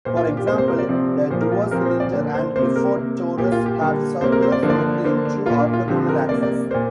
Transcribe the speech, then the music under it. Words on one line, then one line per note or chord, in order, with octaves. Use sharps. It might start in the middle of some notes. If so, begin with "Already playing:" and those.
For example the duocylinder and Clifford torus have circular symmetry in two orthogonal axes.
A#2 A#3 C5
F4
D4
G4
C3 A#3 C5
C5
A#4
D5
C3 F3 C4
A#2 F3 A#3 C5
A#4
F4
G4
A#2 F3 C4 A#4
C5
D5
D3 A#3
C5
C3 A#3 C5
A#4
C3 A#3
A#2 A#3 G4
F4
G4
D3 G3 A#3
C3 A#3 C5
A#4
C5
D5
D3 F3 A#3
D5
D3 A#3 C5
D4
A#2 A#3 F4
D4
F4
D3 F3 C4 G4
A#4
C3 A#3 D5
D5
A#2 A#3 C5